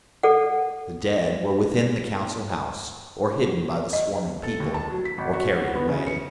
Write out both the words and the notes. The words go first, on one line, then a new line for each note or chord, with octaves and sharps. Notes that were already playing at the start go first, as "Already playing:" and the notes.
The dead were within the Council House, or hidden by the swarming people, or carried away.
A4 D5 F#5
D#5
A4
D#2
A5
F#3
B6
G#1
F#4
F#5
B3
C#3
C#7